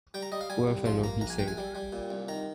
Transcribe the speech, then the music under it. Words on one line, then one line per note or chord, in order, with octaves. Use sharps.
"Poor fellow," he said.
G3 G5
A#5
G3 D#5
F5
G3 G#5
C2
F3 C6
A#3 A#5
A#1 A#5
G#5
A#1 G5
G#5
G3
G3
A#2
C2
D#3 A#5